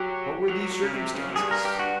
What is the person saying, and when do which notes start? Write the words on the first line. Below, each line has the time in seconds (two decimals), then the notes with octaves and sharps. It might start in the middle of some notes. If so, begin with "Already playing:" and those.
What were these circumstances?
Already playing: F#3 G4
0.50 F#3
0.61 F#3
0.72 F#3
0.83 C#3
0.94 C3
1.15 C#3
1.28 F#2
1.36 G2 G#4
1.51 A#4
1.65 G4
1.79 F#4